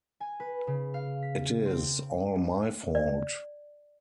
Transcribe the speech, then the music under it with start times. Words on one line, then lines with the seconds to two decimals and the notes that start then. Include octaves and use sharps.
It is all my fault.
0.20 G#5
0.40 B4
0.67 C#3
0.94 F5
1.22 B6
1.65 C4
2.95 D5